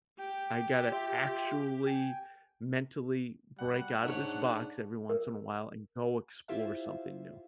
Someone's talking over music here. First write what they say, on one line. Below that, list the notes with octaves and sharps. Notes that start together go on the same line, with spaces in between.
I gotta actually mentally break out of this box every once in a while and go explore something new."
G4 G5
F4 E5 G5
G5 G#5
G3 F#5
G#2 D4 C#5
A#4
E4 F4 G4 C5 E5 F5